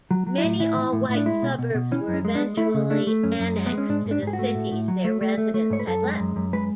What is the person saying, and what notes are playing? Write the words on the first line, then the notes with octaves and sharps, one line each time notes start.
Many all-white suburbs were eventually annexed to the cities their residents had left.
F#3
F#3
E4
A2
E3 E4
E3
A2
A2
D4
G#3 E4
B2
B2
B2
E3 C#4
F#2
C#4
G#3
D4
G#3
A3 E4
C#3
A3 D4
A3
F#2 C#4
F#2
G#3
B3
G#3
C#4
G#2 D4
G#2
D4
G#2
G#4
F#4
A3
A2
A2
F#3
A3
A3
A3
A3
G#2 C#5
B4
F#2 A4
G#3
F#2
F#2
G#3 B4